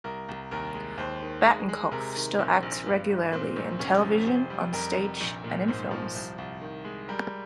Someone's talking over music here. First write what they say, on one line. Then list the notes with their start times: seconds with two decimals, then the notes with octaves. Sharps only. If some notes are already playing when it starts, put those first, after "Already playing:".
Batinkoff still acts regularly in television, on stage, and in films.
0.04 C2 A#4
0.28 C2
0.51 D#2 A#4
0.74 G#3
0.98 D#2 C5
1.22 D#3
1.45 G#3
1.69 G#3
1.92 C3 A#4
2.16 D#3
2.39 A#1 C4
2.63 A#1
2.86 G2
3.10 G#1
3.32 A#2 C4
3.56 A#1
3.79 F1 C#4
4.03 F3
4.26 F1 C5
4.50 G3
4.73 F2 A#4
4.97 F1
5.21 A#1
5.44 A#2
5.68 G#2 C5
5.91 F3
6.14 C2
6.38 C2
6.61 D#3
6.85 G#3
7.08 G3 A#4